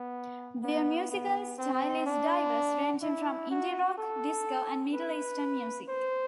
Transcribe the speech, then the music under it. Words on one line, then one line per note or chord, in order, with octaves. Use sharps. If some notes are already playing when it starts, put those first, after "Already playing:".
Their musical style is diverse, ranging from indie rock, disco and Middle Eastern music.
Already playing: B3
B3
B3
C4
D4
E4
F#4
A4
B4
C5